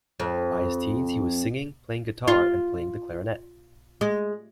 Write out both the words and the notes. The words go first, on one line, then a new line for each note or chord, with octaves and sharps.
By his teens, he was singing, playing guitar, and playing the clarinet.
F2
F4
G#3